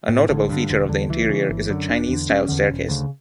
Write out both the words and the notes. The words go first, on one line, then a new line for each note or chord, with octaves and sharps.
A notable feature of the interior is a Chinese style staircase.
A2
A1 D3
G2 D3
E1 D3
E2 D3
C#2 E3
C#3
G1
F#2 D3
E1 D4
E2 D3
E1 C#4
E2 D3
E1
D2 C#3